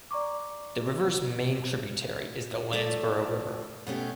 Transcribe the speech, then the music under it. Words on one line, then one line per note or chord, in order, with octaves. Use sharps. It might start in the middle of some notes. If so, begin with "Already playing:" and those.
The river's main tributary is the Landsborough River.
D5 A#5 C#6 D6
F3 A3 A4 D5
B2 A3 C#4 G4